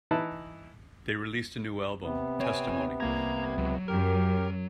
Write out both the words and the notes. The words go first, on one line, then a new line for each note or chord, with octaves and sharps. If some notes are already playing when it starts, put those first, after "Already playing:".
They released a new album, "Testimony".
E3 D#4 E4 B4 A5
C3 B3
C4 C#5 G#5
C2 A#3 A#5 G#6
C#2 F#3
F#2 G4 A#4